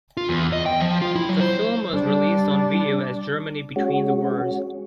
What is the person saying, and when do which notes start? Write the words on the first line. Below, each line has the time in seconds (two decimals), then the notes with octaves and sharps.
The film was released on video as Germany Between The Wars.
0.17 F4
0.29 E2
0.53 D#5
0.66 G5
0.81 F3
1.02 F4
1.16 E4
1.29 F#3
1.40 C5
1.91 G3 D4
3.76 G#3 C#4 F#4